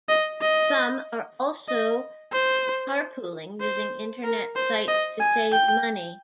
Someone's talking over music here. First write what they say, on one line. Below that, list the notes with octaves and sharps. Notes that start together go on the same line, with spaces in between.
Some are also carpooling using Internet sites to save money.
D#5
D#5
D#5
C5
C5
A#4
C5
D#5
G#5
G5